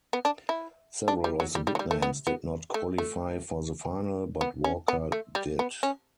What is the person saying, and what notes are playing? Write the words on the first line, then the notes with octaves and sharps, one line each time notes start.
Several of the big names did not qualify for the final, but Walker did.
B3
D4
E4
D4
G3
F#3
G3
G3
F#3
G3
A3
B3
B3
A3
A3
B3
C#4
B3
A3
G3
B3
C#4